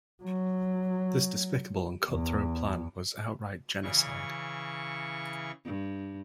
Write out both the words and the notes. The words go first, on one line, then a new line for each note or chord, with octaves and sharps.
This despicable and cutthroat plan was outright genocide.
F#3
E2
C#3 E3 C#6
G2